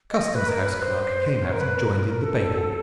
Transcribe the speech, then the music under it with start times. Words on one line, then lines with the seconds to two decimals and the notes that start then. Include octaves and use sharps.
A Customs House clerk came out and joined in the babel.
0.11 D#5
0.35 B4
0.48 A#4
0.61 B4
0.82 C5
1.29 C5
1.44 C#5
1.52 A#4
1.60 B4
1.76 A#4
2.23 A4